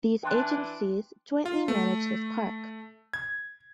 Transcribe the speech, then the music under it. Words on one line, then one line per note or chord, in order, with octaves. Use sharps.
These agencies jointly manage this park.
E3 D4 G5 C6 F#6
F4
A3
G#6